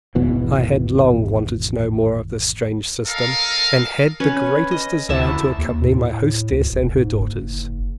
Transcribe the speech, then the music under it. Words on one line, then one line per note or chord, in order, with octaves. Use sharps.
I had long wanted to know more of this strange system, and had the greatest desire to accompany my hostess and her daughters.
G#1 E2 B2 E3
A4 A#4 D#5 F5
C#4 B4 C#5
D#5
D2 E4 E5 A5
D#2
A2
D2
F1
G#2
F#1